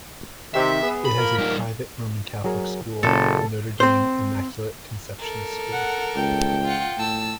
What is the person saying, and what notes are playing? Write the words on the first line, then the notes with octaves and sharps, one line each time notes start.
It has a private Roman Catholic school, Notre Dame-Immaculate Conception School.
C3 D#3 E5
B3 G#4
B5
F3 A#3 A#4
G3 D#4
F#3 G#4 A#4
F#1 A#2 C#3 A4
C4 C5
A4 A#4
F#5
C#2 G5
F4 F#5
A2 A5 E6